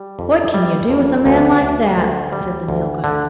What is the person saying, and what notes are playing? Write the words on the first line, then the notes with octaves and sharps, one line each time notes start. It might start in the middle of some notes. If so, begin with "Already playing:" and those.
'What can you do with a man like that?' said the Nilghai.
Already playing: G3
F2
G3
F2
D2
D2
D2
G3
D2
D3